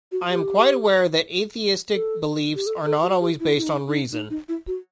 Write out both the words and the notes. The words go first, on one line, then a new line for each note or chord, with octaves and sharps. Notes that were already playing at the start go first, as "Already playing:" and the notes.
I am quite aware that atheistic beliefs are not always based on reason.
F#4
G4
A4
G4
A4
A4
F#4
G4
E4
E4
D#4
D#4
D#4
D#4
E4
F#4